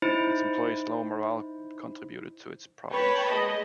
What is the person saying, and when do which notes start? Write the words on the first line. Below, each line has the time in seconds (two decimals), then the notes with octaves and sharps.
Its employees' low morale contributed to its problems.
0.02 D#4 E4 C5
2.92 B4 C#5 G5 A5 B5
3.29 G#3 D#5